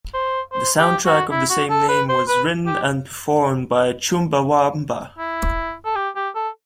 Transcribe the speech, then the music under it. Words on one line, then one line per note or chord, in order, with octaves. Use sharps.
The soundtrack of the same name was written and performed by Chumbawamba.
C5
C5
G4
F#4
E4
F#4
A4
B4
C5
B4
G4
E4
A4
G4
G4
A4